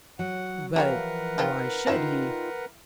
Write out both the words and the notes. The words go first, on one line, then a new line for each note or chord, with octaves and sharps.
"But why should he?"
F#3 F#5
E3 F3 G4 A#4 B4 C#5 F5 F#5
D#3 C4 F4
E3 D#4 F4 E5 G5